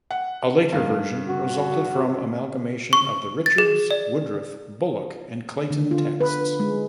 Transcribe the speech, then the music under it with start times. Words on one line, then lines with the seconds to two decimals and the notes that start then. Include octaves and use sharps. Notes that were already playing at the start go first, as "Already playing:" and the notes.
A later version resulted from amalgamation of the Richards, Woodruff, Bullock and Clayton texts.
0.11 F#5
0.72 G2 A#4 F5
1.28 F#4
2.93 C#6
3.46 A6
3.58 G#4
3.91 D5
5.70 D3
5.91 F4
6.21 B4
6.60 G#3